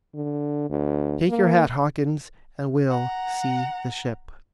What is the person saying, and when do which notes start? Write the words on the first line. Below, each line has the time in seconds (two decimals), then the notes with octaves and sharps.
"Take your hat, Hawkins, and we'll see the ship."
0.15 D3
0.70 D2
1.29 A#3
2.89 F#5 A#5